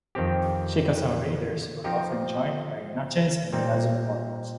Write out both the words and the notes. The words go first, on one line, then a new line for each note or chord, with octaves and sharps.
Chickasaw raiders were often joined by Natchez and Yazoo warriors.
F2 D#3 C4 G4
F3 C4 D#4 G4
A#2 G3 C4 D#4